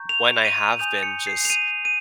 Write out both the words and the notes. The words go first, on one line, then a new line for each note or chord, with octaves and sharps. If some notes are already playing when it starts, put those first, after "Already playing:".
when I have been just
Already playing: A#5 C#6 G6
F7
D#7
G#5 D#6 G6 F7
C#7
C7
F7
D#7
D#7